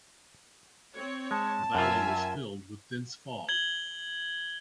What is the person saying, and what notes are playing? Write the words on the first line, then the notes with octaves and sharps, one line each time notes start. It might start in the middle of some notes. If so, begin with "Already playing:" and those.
The valley was filled with dense fog.
C4 C#5
G#3 A5
F#2 F4 A#4 E5 G#5
G#6 F#7 G7